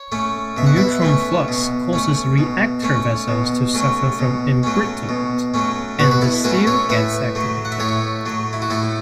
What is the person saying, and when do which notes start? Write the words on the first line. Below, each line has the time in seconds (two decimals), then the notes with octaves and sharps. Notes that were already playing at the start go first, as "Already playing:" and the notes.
Neutron flux causes reactor vessels to suffer from embrittlement and the steel gets activated.
Already playing: C#5
0.12 A3 C#4
0.57 B2 E5
0.66 F#5
0.76 B4 E5
1.02 A3 C#4
1.48 B2
1.93 A3 C#4
2.38 B2
2.83 A3 C#4
3.28 B2
3.74 F#3 A3 C#4
4.19 B2
4.63 F#3 A3 C#4
5.09 B2
5.54 F#3 A3 C#4
5.99 B2 F#4 B4
6.11 B4
6.21 E4 A4
6.44 F#3 A3 C#4 F#4 B4
6.67 A4 C#5
6.89 A2 B4 E5
7.35 F#3 A3
7.65 F#5
7.72 E5
7.80 A2 A4 C#5
8.26 F#3 A3
8.53 E4
8.62 F#4
8.70 A2 E4 A4